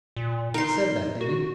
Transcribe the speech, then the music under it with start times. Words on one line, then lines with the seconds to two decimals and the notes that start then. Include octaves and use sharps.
"He said that, did he?"
0.16 A#2
0.54 D#4 A#4 C6
1.21 F#4